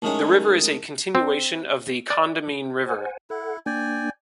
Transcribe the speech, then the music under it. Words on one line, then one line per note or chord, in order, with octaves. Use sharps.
The river is a continuation of the Condamine River.
A2 D#3 G#3 C#4
C4
D5
C5 F#5 G#5
E4 A4 F#5
A#3 D4 D5 G5 G#5